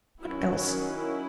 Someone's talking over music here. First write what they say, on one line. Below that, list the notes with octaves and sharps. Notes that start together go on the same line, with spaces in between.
What else?
D#3 F#3 C#4 E4
E4